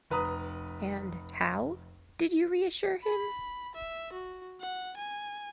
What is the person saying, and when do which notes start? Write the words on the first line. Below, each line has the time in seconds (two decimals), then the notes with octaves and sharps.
And how did you reassure him?
0.10 F1 B4 A#5 D#6
3.03 B5
3.75 E5
4.13 F#4
4.61 F#5
4.97 G#5